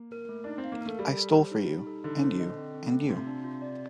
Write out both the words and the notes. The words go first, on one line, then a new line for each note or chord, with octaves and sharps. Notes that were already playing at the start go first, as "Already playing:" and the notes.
I stole for you, and you, and you.
Already playing: A#3
A#4
A3
D4 D#4
C4
F5
A#3
A3 A#4
G3 A4
A4
C5
D#4
D#4
A4
D3 D#4
C5
D#5
C4
C4
A3
C3 F4
D4
F4
D5